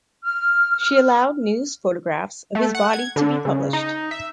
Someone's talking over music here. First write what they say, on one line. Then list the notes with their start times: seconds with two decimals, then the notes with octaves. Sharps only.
She allowed news photographs of his body to be published.
0.22 F6
2.55 A3
2.75 F#5
2.93 G#6
3.16 D3
3.45 C#3
3.73 D#4
4.11 E5